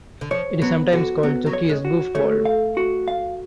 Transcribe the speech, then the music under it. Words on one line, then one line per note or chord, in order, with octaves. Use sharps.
It is sometimes called "Zocchi's Golfball".
D3
F3 C#5
F#3 B3
D3 F#4
F#3 B3
F#3
C#5
G#3
F#4
A3 C#5
F5
F#4
F5